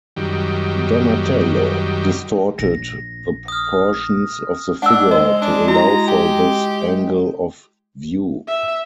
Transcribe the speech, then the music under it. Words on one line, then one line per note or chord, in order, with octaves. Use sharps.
Donatello distorted the proportions of the figure to allow for this angle of view.
F#2 D#3 G3
A#1 A#6
D#6 F6
G#3 D4 F#5 E6
C5 D#5
D4
E4 F#4 A#5
G4
E5